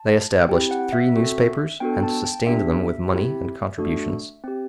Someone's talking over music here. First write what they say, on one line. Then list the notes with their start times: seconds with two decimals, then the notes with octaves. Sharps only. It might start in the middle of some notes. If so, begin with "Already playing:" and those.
They established three newspapers, and sustained them with money and contributions.
Already playing: A5
0.49 C4 E4 G4 G5
0.71 F#5
0.92 E5
1.15 C4 F#4 A4
1.80 B3 D4 F#4 A4 G5
2.03 A5
2.25 G5
2.46 B3 D4 G4 E5
3.12 C4 E4 G4
3.78 A3 D4 F#4 A4
4.44 C4 G4